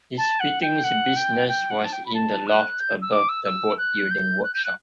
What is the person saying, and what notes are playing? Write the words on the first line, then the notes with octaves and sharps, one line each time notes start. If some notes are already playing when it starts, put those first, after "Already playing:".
His fittings business was in the loft above the boatbuilding workshop.
A5
F#5
G5
F#5
G5
G5
F#5
A5
G5
B5
A5
F#6
G6
E6
D6
E6
E6
F#6
G6
F#6
G6
F#6